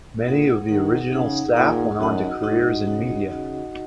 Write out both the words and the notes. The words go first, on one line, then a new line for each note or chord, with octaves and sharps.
Many of the original staff went on to careers in media.
A#2 D#4 G#4 F#5
D#3 D#4 G#4 F#5
C#3 D#4 G#4 F#5
A#2 D#4 G#4 F#5
F#2 D#4 F#4 D#5 F#5
G#2 D#4 F#4 D#5 F#5
C#3 D#4 F#4 D#5 F#5
C#3 D#4 F#4 D#5 F#5